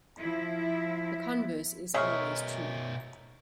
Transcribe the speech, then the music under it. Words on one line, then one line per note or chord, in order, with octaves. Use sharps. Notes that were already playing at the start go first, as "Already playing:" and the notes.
The converse is always true.
F3 E4
B2 G#3 A#4 C#5 E5 C#6 F6